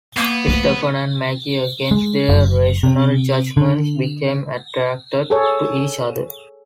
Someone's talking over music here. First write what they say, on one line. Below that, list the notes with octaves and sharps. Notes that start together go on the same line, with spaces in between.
Stephen and Maggie, against their rational judgments, become attracted to each other.
A#3 B3
F3 A3
G#3
F#1
C3
D3
G#4 A4 C#5